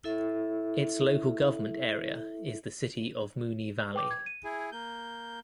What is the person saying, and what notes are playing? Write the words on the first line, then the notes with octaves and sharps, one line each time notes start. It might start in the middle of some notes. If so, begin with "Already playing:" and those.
Its local government area is the City of Moonee Valley.
E4 A4 E5
B4 G5 D6
G#6
D#7
E4 G#4
A#3 G6